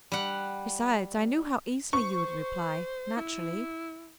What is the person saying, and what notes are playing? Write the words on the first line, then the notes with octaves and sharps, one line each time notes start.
Besides, I knew how easily you would reply--naturally.
G3 F#5
C5 C#6
E4